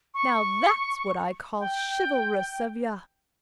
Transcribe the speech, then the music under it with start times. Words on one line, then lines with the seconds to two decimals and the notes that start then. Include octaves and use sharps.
Now that's what I call chivalrous of yah.
0.14 C#6
1.60 G5